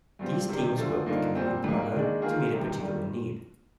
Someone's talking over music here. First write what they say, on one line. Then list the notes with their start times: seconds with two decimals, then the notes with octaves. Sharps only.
These teams work with a community partner to meet a particular need.
0.19 G2 F3 C4 G4
0.49 C3 D#3 G3
0.77 D2 D3 F3
1.06 G2 D3 F3 A#3 D#4
1.35 A#2 G3 C4
1.64 G#2 G3 A#3
1.93 D#2 D#3 G#3 D4
2.22 D#3 A#3 F4 G#4
2.51 C2 C3 D#3
2.79 G2 D#3 G3